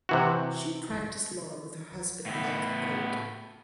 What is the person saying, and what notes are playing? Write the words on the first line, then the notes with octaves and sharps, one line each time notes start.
She practiced law with her husband Mike Gold.
C3 E3 F#4
A2 B3